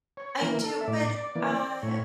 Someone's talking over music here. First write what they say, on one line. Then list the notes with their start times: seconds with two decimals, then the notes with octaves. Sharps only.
I do, but, uh,
0.17 C#5
0.40 E3 A#3 A#4
0.64 A4
0.81 E5
0.87 A2 D5
1.35 E3 A#3
1.82 A2 C#5